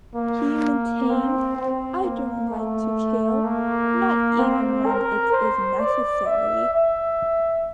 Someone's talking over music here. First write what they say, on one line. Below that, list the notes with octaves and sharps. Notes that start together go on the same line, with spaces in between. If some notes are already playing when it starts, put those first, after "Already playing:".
He maintained: "I don't like to kill... not even when it is necessary".
A#3
C4
C4
A#3
A3
A#3
C4
A#4
C5
D5
E5
E5